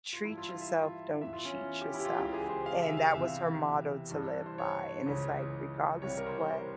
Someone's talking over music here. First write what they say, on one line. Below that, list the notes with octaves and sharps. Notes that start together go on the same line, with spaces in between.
"Treat yourself, don't cheat yourself." And that was her motto to live by and it's like, regardless of what,
F4
G2 E3 E4
F4
F4
E5
E2 E3 E5
F4
C#4
G4
E4
G4
F4
C#2 C#3 E3 G4
G#4
C5
F5
E5
F5
E2 C3 E3 E5
G2 E3
C5
C#5
C#2 C#3 E3
C2 C3 E3 C#5
A#4
C5
C5
A#4